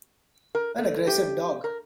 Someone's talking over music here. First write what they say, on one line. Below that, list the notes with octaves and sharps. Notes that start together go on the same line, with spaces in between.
An aggressive dog.
A#4
A3
G4
A#4